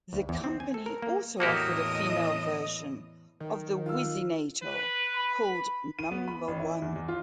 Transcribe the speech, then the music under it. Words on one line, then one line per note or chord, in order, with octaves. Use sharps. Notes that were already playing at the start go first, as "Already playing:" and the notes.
The company also offered a female version of the Whizzinator, called Number One.
D2
E2
C4
G#5
A4
A#4
A#3
E2 A2 E3 A#3 F#4 G4 D#5
D#3
F4 E6
B4
B5
D#7
B3
B5
A1
E4
E2
E2
F4